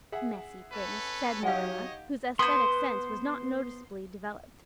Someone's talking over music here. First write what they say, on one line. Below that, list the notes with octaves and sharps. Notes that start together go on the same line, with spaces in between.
"Messy things," said Marilla, whose aesthetic sense was not noticeably developed.
G#4 E5 F#5
C#4 A4 B4
F#3 D#4 G4 C#5 D#5 F5 F#5 G#5
B3 C5 C6